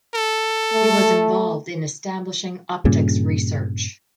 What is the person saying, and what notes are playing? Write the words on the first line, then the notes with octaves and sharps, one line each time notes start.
He was involved in establishing optics research.
A4
A3
G2 A#2 C#3